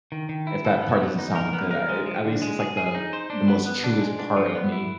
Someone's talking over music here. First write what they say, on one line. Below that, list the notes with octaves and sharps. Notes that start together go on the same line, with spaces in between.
if that part doesn't sound good, I, eh, at least it's, like, the the most truest part of me,
D#3
D#3
E4
A4
B3
F#3
D#4
A#4
B3
A#4
G#3
F3
D3
G#3
G#4
G#4
D#4
C5
D4
B3
B3
D4
G#3
D4
F3
B3
E4